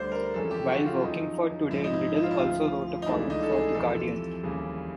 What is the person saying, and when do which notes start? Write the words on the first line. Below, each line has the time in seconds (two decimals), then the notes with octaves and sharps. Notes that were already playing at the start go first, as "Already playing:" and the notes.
While working for "Today", Liddle also wrote a column for "The Guardian".
Already playing: D2 D3 G3 C5 D5
0.12 A#4
0.34 F2 C3 E3 G#3 C#4 A4
0.51 G4
0.69 F#4
0.86 F4
0.95 E4
1.02 F2 C#3 F#3 D#4
1.70 A#1 G#2 F3 E4
1.84 D#4
1.93 E4
2.16 E4
2.23 F4
2.31 E4
2.39 D2 C#3 F3 F4
3.02 D#4
3.07 C#2 C#3 E3 A3 D4 E4
3.30 D#4
3.43 A4
3.52 G#4
3.74 F2 C3 E3 A4
4.43 F1 D#2 C#3 E3 G3